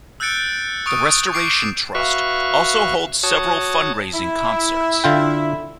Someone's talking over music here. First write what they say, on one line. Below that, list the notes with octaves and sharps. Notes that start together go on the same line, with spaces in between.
The Restoration Trust also holds several fundraising concerts.
E6 F#6 G6 A6 C#7 D7
C#6 D#6 D7
C#6 D6 C7 D7
F#4 B4 E5 F5 C#6
F#4 C#5 A5 D#6
E4 E5
D3 F4 G5